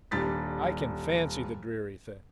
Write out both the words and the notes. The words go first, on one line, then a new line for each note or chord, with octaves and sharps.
"I can fancy the dreary thing!"
D#1 G3 D4 A6 B6